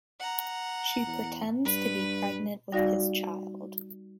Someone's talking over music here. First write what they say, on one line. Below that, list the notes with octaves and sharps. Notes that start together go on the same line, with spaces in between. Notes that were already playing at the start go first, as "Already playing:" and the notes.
She pretends to be pregnant with his child.
F#5 A#5
E2
G2 B4
G3 D#4 F#4 D5 F5 A#6